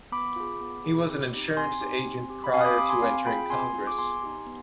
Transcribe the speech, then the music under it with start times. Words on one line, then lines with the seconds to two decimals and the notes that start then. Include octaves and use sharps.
He was an insurance agent prior to entering Congress.
0.12 B3 B5 D6
0.36 F4 G#4
0.61 B3
0.85 F4 G#4
1.09 C4
1.33 D#4 G4
1.57 C4 G#5 C6
1.81 D#4 G4
2.05 C4
2.30 G4
2.44 B5
2.54 C4 F5 G#5
2.61 D#6
2.65 B5 D6
2.78 G4 B5 D6
2.89 G#5 C6
3.02 C4 F5 G#5
3.26 F4 G#4 G5 B5
3.50 C4 G#5 C6
3.74 F4 G#4
3.87 D6
3.98 B3 G#5 C6
4.22 D#4 G4
4.46 B3